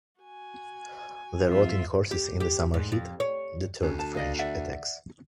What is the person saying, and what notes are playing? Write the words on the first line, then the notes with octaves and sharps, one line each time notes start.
The rotting horses in the summer heat deterred French attacks.
F#4 G#5
F2 F4 E5 C6
G4
G4
G#2
F2
C#5
D2 C#4
A5
D5 D#5 F5
D5 E5 F#5